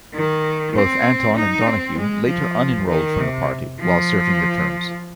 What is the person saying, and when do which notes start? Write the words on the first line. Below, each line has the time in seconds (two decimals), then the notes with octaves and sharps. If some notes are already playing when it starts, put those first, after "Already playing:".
Both Anton and Donoghue later unenrolled from the party while serving their terms.
0.14 D#3
0.75 C4
1.36 D#4
1.67 C4
1.97 G#3
2.28 F3
2.89 D#3
3.19 C3
3.81 F3